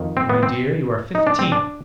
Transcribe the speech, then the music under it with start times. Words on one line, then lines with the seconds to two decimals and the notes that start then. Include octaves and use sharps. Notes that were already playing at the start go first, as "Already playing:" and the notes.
"My dear, you are fifteen."
Already playing: F2 D#3
0.17 C4
0.29 B3
0.43 C4
1.15 D#4
1.27 D4
1.39 C4
1.52 D4